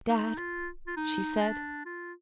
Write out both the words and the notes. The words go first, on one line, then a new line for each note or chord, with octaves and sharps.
"Dad!" she said.
D#4
F4
F4
D#4
D4
F4